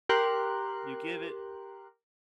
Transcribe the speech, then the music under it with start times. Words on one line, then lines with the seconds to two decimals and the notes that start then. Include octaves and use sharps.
you give it,
0.09 G4 A#4 C6 F#6